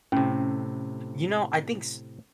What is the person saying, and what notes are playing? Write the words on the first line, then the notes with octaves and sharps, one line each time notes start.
You know, I think s
A2 C3 C#4